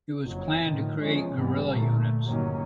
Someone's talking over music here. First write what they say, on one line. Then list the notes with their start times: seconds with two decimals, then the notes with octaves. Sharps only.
It was planned to create guerrilla units.
0.22 F#1 F2 F#3
0.65 A2 D3 D#3 F3
1.01 E2 F3 G#3 C#4
1.35 F1 G#2 D#3 E3 G3 B3
1.68 A#2 D3 A3 A#3
2.27 G1 F#2 D#3 F#3 A#3 C#4